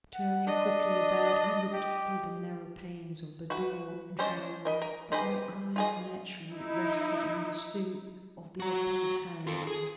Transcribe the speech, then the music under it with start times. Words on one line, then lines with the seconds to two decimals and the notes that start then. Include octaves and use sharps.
Turning quickly about, I looked through the narrow panes of the door, and found that my eyes naturally rested on the stoop of the opposite house.
0.14 F#5
0.47 D4 D#5
1.73 G4
3.50 F#4 B4
4.19 C#4 D4 C5 C#5 D#5
4.65 A#4 D#5 B5
4.82 A#4
5.12 G4 G#4 B4 C5 D#5
5.76 F4 G#4 D#5
6.53 D#4 E4
8.60 F#4 A#5
9.47 F4 A4
9.67 G#4